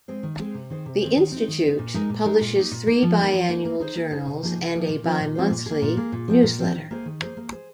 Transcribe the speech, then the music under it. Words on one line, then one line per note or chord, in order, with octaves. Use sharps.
The institute publishes three bi-annual journals and a bi-monthly newsletter.
G#3 C4 G#4 C5
D#3
G#3 C4 G#4 C5
C3
D#3 C4 G#4 C5
C3
D#3 C4 G#4 C5
D#3
C4 D#4
D#3
C4 D#4
A#2
G#3 D#4 A#4
A#2
G#3 D#4 A#4
A#2
A#3 D#4
A#2
A#3 D#4
F3
A#3 D#4 A#4
F3
A#3 D#4 A#4
A#3
D#4 G#4 C5
A#3
D#4 G#4 C5
C3
F3 A#3 D#4 G#4
C3
F3 A#3 D#4 G#4
A#2
F3 C4 F4 C5
A#2
F3 C4 F4 C5
A#2
A#3 G#4
A#2
A#3 G#4
A#2
F3 C4 F4
A#2
F3 C4 F4
D#3
A#3 G#4 C5
D#3
A#3 G#4 C5
A#3
G#4 C5